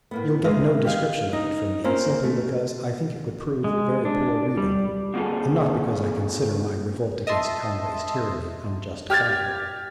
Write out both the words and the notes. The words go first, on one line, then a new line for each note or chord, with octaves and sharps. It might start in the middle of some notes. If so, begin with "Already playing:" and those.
You'll get no description of it from me, simply because I think it would prove very poor reading, and not because I consider my revolt against Conway's tyranny unjustifiable.
A2 A#3 B3
D2 G#3 A3 E5 F5
G4 D#5 F5
D#4
A#3 C4 C#4 F4 C5 F5
A3
G#3
D4
G3
D3 A#3 C4 F4 G#4 A4
D#5 E5 A5 C6
G4 F6 G#6 A6